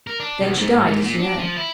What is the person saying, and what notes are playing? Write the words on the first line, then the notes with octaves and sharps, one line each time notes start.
Then she died, as you know.
A#4
D4
B1
G#2
G#2
A#2
D4
F3
E4